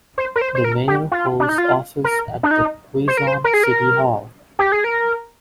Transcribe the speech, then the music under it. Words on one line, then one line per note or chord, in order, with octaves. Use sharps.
The mayor holds office at the Quezon City Hall.
C5
A#4
C5
C5
A#4
G4
F4
D4
D#4
F4
A#4
D4
D#4
C5
A#4
C5
A#4
G#4
A#4
G4
G#4
A#4